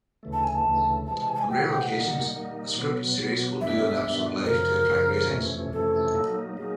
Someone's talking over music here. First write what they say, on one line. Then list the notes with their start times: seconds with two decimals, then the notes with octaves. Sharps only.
On rare occasions, a scripted series will do an episode live to attract ratings.
0.23 D2 C#3 E3 A3
0.33 A5
0.44 G#5
0.54 A5
0.65 D2 C#3 E3 A3
1.07 C3 E3 G#3 A5
1.18 A5
1.29 G#5
1.34 A5
1.39 G#5
1.49 C3 E3 G#3 G5
1.61 F#5
1.70 G5
1.81 F#5
1.92 D#3 G3 A#3 D#4
2.34 D#3 G3 A#3 D#4
2.77 B2 F#3 B3
3.19 B2 F#3 B3
3.61 G2 D#3 G3 B3 D4 E5
4.03 G2 D#3 G3 B3 D4
4.45 F#2 C#3 F3 A#4
4.88 F#2 C#3 F3
5.30 F2 C3 E3 A3 C#4
5.72 F2 C3 E3 A3 C#4 A4
6.15 F#3 A#3 D#4
6.57 F#3 A#3 D#4 G#4